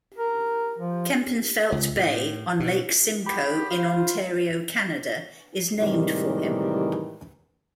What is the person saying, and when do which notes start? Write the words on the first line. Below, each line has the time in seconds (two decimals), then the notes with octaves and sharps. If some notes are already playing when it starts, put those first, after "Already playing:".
Kempenfelt Bay on Lake Simcoe in Ontario, Canada, is named for him.
0.18 A#4
0.79 F3
1.72 C#2
1.96 A2
2.60 B2
3.26 B3 F#4 G4 B5
3.71 C5 F5
3.89 F4
5.80 A2 C3 D#3 E3 G3 G#3